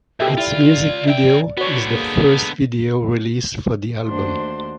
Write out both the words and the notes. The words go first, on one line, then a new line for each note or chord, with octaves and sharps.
Its music video is the first video released for the album.
B2 G4 A4 E5
C#2 E4 F4 D5
C#3 E5 G5
D3 B3 F#4 C#5
A#3 G#4
D#2 A3 D4 F#4 C5 C6